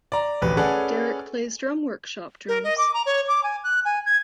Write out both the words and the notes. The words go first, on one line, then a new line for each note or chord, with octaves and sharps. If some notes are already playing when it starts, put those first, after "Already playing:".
Derek plays Drum Workshop drums.
D5 A#5
D1 A1 B4
C#4 G#4 A4 B4 D5 F#5
A#4
D#5
D6
A#5
C#5
D6
G#5
F#6
G#5
G#6